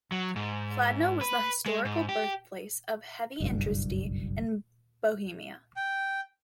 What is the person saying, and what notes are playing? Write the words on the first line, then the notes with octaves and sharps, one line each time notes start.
Kladno was the historical birthplace of heavy industry in Bohemia.
F#3
G#2
B4
G#3
G#2
G4
F#1 B1 G2
G5